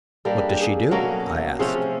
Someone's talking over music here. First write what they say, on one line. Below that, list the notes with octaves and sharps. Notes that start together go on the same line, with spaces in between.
"What does she do?" I asked.
G3 A#3 D4 A4
G#4
G4
G#4
B2 F#3 A#3 C#4 A4
C3 F3 A3 C#4 G#4